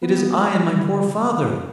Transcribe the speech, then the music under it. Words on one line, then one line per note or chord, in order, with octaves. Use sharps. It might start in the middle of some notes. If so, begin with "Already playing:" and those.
"It is I and my poor father."
B3
B3
A3
G3
G3
D3
D3
C#3